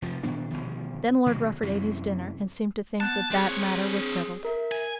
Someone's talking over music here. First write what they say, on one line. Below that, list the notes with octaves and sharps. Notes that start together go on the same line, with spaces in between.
Then Lord Rufford ate his dinner and seemed to think that that matter was settled.
F1 F3
A#2 D#3 B3 D4
G1 B2 D#3 F3
B2 D#3 F#3
F#2 C3 E3
B3 A5 F#6 G6
C4 G#4 C#5
A#4 E5
G#5